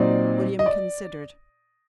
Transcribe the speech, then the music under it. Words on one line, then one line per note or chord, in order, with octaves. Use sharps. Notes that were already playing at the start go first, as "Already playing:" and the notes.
William considered.
Already playing: A#2 F#3 C4 D#4 D5
D#5
D5